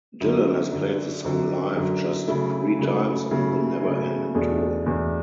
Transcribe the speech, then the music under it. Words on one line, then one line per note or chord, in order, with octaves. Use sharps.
Dylan has played the song live just three times on the Never Ending Tour.
F#2 D3 F#3
F#2 D3 F#3
F#2 D3 F#3
F#2 D3 F#3
C#3 F#3 A3 E4
C#3 F#3 A3 E4
C#3 F#3 A3 E4
C#3 F#3 A3 E4
E2 B2 A3 D4 G#4
E2 B2 A3 D4 G#4